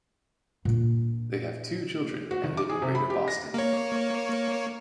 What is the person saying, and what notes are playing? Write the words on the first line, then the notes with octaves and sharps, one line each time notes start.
They have two children and live in greater Boston.
A#2 D4
F#4
D#3
D6
G#4
C3
B5
G4
A#6
A#3 C#5